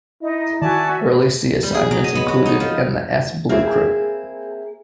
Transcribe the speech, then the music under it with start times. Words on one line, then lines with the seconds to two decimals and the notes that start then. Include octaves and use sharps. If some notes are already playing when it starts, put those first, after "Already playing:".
Early sea assignments included and the s blue crew.
0.22 D#4 E4 D#5
0.62 D#3 F#4 D5 E5 G#5 A5
1.63 G3
1.74 G#4
1.91 F#3
2.04 D#5
2.15 B3
2.28 F#4
2.46 D#4
2.60 F3
3.49 A#3 C4 E4 G#4